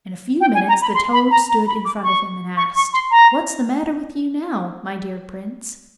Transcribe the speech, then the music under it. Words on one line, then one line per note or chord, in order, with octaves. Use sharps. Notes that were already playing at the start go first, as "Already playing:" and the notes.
In a few minutes the toad stood in front of him and asked, 'What's the matter with you now, my dear Prince?'
G5
G#5
A#5
B5
C6
B5
A#5
A#5
B5
D6
C#6
C#6
C#6
C6
A#5